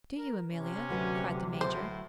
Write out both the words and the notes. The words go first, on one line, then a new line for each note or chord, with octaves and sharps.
"Do you, Amelia?" cried the Major.
A#4
C3 C#4
D2 F#3 B4
A2 C5